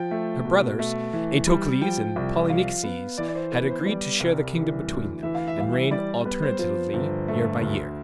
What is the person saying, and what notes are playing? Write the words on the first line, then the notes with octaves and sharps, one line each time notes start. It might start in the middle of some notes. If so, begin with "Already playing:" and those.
Her brothers, Eteocles and Polynices, had agreed to share the kingdom between them, and reign alternately year by year.
Already playing: F3 G5
A3
B2
A3
E3
G3
F3 G5
C2
F3 F5
B3
E3 D5
D5
C5
B3 B4
C5
C5
G3 D5
C2
E3
D2
E3 E5
F5
E5
G3 F5
E5
G3 D5
B3 B4
C5
F3 C5
G1
A3
D2